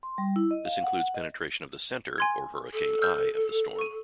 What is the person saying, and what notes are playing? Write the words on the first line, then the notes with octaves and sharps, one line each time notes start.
This includes penetration of the center or hurricane eye of the storm.
C6
G3
E4
D#5
F5
F#5
F#5
D#5
G#5 C6 G#6
A4
E6 F6 G6
C#6 D#7